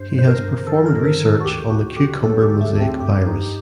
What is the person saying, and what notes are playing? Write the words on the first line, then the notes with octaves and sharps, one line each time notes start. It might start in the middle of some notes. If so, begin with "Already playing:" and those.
He has performed research on the "cucumber mosaic virus".
Already playing: G2 C5
G2 C5
A#4
G2
D#3 A4
A#4
G2
A#4
D#3
A4
F#4
D2 G4
D2 F#4
D3 G4
F#3 A4
G4
D3
A3
D2
C4
G2 G4
G2 D#4